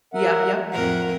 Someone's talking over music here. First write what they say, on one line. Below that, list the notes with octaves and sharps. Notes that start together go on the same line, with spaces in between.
Yeah, yep.
A#4 E5 F#5
F2 A2 A#4 F#5